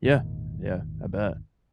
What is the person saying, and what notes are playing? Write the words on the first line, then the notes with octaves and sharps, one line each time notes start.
Yeah. Yeah. I bet.
G#1 E2 A#2 D#3